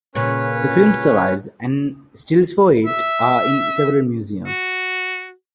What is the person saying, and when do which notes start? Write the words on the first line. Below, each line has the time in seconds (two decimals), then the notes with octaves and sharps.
The film survives and stills for it are in several museums.
0.15 A#2 C#3 C#4 B4 C#5
2.86 E5
4.47 F#4